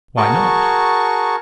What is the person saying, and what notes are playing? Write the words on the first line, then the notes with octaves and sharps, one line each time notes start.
"Why not?"
F#4 G#4 A#4 A5 C#6